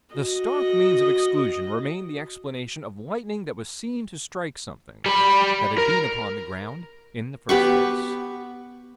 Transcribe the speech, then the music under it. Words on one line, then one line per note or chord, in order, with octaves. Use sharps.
The stock means of exclusion remained the explanation of lightning that was seen to strike something--that had been upon the ground in the first place.
F#4 D#5
G3 B5
A#4
B3 G4 B5 C#6